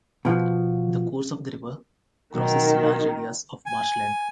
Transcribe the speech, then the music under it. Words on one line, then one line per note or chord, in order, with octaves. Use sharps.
The course of the river crosses large areas of marshland.
B2 F3
B2 D#3 F#3
G#5